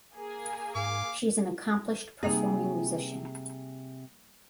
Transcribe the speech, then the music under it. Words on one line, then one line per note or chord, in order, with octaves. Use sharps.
She is an accomplished performing musician.
A#3 G#4
G#2 F5 D6
C3 G3 A#3 D#4 G#4